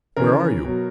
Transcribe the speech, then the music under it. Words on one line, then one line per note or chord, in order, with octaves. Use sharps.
"Where are you?"
C#3 E3 A#4
B2 F#3